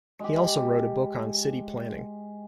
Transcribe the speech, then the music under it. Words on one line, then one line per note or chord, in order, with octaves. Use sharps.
He also wrote a book on city planning.
G#3 G4